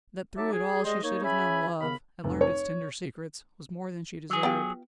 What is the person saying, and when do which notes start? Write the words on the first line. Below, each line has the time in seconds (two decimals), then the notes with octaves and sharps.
That through it all she should have known love, and learned its tender secrets, was more than she deserved.
0.37 F#3 D#4 E5 A5 D6
0.53 G#4
0.84 G3 G#3 G#4 C5 D#5
1.03 A#3 D#4 C#5
1.23 C#4 G#4 E5 G#5 B5
1.80 D#2 C#3 B3 F5 B5
2.24 F1
2.41 C#5
4.30 F#3 G#4
4.43 B3 F4 G4